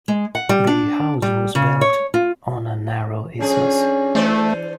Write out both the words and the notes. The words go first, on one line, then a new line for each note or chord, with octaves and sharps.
The house was built on a narrow isthmus.
G#3
F#5
G3
D4
G3
C#3
C#5
F4
F2 C#4 D4 G#4
E3 A3 C5 D5